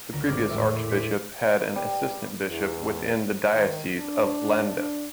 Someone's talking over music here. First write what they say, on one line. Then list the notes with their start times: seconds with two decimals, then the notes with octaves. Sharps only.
The previous archbishop had an assistant bishop within the Diocese of Llandaff.
0.13 C#2 D3 A#5
0.26 G#1 G#2 D5 F6
0.50 A#1 E2 A2 E5
0.69 C5 D5
0.89 B6
1.62 B4
1.75 G3
2.48 E2
3.53 D#3
3.98 D4